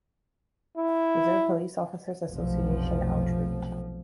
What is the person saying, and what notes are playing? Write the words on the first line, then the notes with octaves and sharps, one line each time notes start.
Reserve Police Officers Association Outreach.
E4
F1 B1 F3